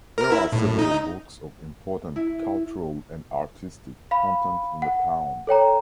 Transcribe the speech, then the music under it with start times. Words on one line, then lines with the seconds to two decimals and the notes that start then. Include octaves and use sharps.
There are several books of important cultural and artistic content in the town.
0.18 A#4
0.32 E4
0.52 A2
0.79 D#4
2.16 E4
4.11 F5 B5
4.82 F#5
5.47 A4 C#5 G5 A#5